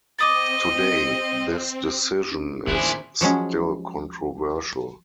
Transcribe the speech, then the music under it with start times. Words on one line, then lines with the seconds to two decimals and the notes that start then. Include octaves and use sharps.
Today, this decision is still controversial.
0.19 C4 D#5 D6 D#6 A6
2.29 C#4 D4
2.68 A#2 D#3 C4 D4 E4 G#4 C5 F#6
3.21 F3 F#3 G#3 C#4